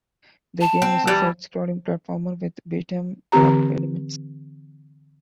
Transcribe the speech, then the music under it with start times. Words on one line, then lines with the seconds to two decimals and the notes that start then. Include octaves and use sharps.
The game is a side-scrolling platformer with beat 'em up elements.
0.61 A5
0.82 C4
1.07 E3 G3
3.32 D3 E3 C4 G4 A#5